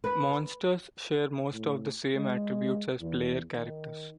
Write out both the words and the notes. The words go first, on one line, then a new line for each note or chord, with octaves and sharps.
Monsters share most of the same attributes as player characters.
B4
A2
G#3
E2
D#3